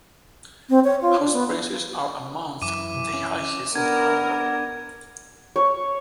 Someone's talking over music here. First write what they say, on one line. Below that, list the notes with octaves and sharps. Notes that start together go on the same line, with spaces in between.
House prices are amongst the highest in Hungary.
C4
C#5
F4
D4
B3
F#2 E3 D6 D#7
C#4
B3 D4 A#4 G#6
C#5